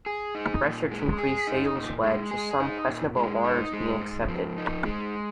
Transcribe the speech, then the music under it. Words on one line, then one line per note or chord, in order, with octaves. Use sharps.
Pressure to increase sales led to some questionable orders being accepted.
G#4
D#4
A#2
G#3
G#4
D#4
A#2
G#3
G#4
D#4
A#2
G#3
D#4
G#3
G#2
F3
D#4
G#3